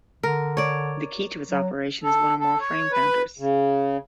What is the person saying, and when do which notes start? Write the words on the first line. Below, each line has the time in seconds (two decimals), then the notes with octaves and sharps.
The key to its operation is one or more frame counters.
0.23 D3 A#4
0.57 C#5 D5
1.49 F#3
2.04 A4
2.40 A4
2.60 C#5
2.92 B4
3.39 C#3